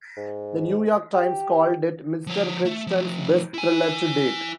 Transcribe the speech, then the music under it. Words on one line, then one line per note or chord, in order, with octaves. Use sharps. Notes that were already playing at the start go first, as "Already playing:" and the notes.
The "New York Times" called it "Mr Crichton's best thriller to date".
G#2
G4
F3 C#5
A3
F3 A3
E4 G#5